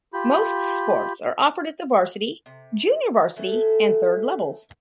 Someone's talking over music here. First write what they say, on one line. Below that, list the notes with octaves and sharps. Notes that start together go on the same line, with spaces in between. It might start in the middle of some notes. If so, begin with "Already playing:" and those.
Most sports are offered at the varsity, junior varsity and thirds levels.
F4 G4 B5 G6
C3
E3 F#3 A3 A4